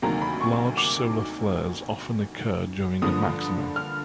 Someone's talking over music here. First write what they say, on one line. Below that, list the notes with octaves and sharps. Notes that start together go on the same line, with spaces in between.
Large solar flares often occur during a maximum.
D2 C3 D#3 F#3 A#3 A#5
B5
C#6
D6
G2 D3 F3 A#3 D#6
F6